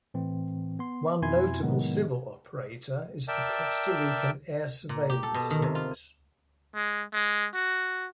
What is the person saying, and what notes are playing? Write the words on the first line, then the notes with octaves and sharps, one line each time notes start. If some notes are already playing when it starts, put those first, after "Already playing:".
One notable civil operator is the Costa Rican Air Surveillance Service.
A2 E3 C4
B3 C6
F2 B2 E4 G#5 C6 G#6
A2 C3 D#3 F#3 G#3 B3
A#4 D5 E5 G5 A5
A#2
G4
A4
B2
D#3
C3
F4
G#3
G#3
F#4